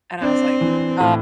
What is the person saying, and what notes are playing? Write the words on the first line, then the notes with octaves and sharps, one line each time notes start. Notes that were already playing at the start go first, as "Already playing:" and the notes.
and I was like, "Uh,
C4 D4
E3
A2